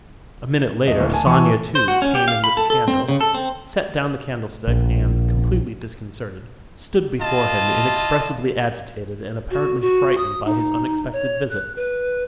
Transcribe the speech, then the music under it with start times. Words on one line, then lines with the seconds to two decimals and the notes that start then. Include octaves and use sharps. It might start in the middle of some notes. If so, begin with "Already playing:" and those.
A minute later Sonia, too, came in with the candle, set down the candlestick and, completely disconcerted, stood before him inexpressibly agitated and apparently frightened by his unexpected visit.
0.87 E1 D#5
1.00 D1
1.13 G#5 A5
1.26 E3 G#5 A5 C#6
1.75 C5
1.88 F#4
2.02 C#4
2.15 G4
2.28 F5
2.44 B5
2.57 A4
2.70 A4
2.88 C4
3.09 C#3
3.21 A4
3.34 C4
4.67 A#1
7.21 E4 F4 D#5 A5
9.51 F#4
9.81 F#4
10.18 D#6
10.45 D#4
11.13 C#5
11.50 F#6
11.76 B4